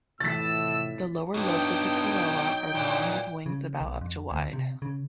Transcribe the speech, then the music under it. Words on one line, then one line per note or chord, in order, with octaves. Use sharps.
The lower lobes of the corolla are long with wings about up to wide.
F2 A2 C3 E3 E6 A6 B6
G2 B2 F#3 D4 D#4 G5
F#2 A#2 E3
C#3
B1
F2
D2
C3
C#3